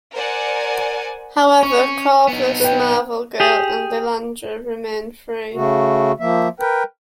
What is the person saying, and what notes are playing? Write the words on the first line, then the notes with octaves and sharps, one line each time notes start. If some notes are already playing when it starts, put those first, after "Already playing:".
However, Korvus, Marvel Girl and Lilandra remain free.
A#4 C5 D5 F#5 G#5
C#4 C#6
B3 D#4
B4 G5
G4 G#4
C#3 A3 F#4
F3 A#3 E5
A#4 B4 G5